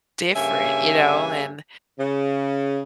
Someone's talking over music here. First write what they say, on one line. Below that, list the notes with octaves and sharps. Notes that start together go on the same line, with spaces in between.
different." You know? And
G2 C#3 A#3 C#5 E5 G#5
C#3